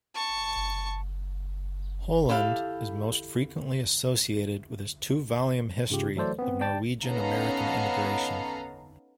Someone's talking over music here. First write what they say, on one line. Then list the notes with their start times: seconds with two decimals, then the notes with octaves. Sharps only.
Holand is most frequently associated with his two volume history of Norwegian-American immigration.
0.14 A5 C#6
2.29 E4 G4 A4 F5
5.90 G#2 C#3 F4 G4
6.16 E3 F#3 A3 A4 C5 D5
6.39 B3 C4
6.61 D5 G5 A5 A6
7.04 B3 C#4 D#4 A4 F5 A#5